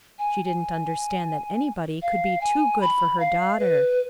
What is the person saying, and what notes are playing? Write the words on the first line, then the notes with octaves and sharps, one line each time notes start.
She didn't understand that anybody could be too good for her daughter.
G#5
G#5
F5
G#5
B5
F5
B4